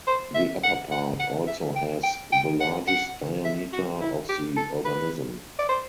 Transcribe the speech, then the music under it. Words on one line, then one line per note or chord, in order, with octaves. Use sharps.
The upper part also has the largest diameter of the organism.
C5
E5
F#5
F#5
F#5
E5
G5
G5
G5
F#5
F#5
E5
F#4
E4
G4
A4
B4
D5
C5